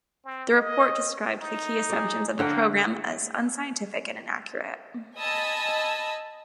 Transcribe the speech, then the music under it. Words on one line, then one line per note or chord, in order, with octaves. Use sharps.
The report described the key assumptions of the program as unscientific and inaccurate.
C4
D#5
D#4
G#4 D5
D3 A#3 F#5 G5
D#5 G#5 A5 B5 E6